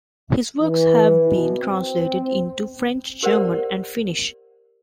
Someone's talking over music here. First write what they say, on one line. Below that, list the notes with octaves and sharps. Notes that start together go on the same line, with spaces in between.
His works have been translated into French, German and Finnish.
E3
B2
C4
G4 A#4 C5 D5 F#5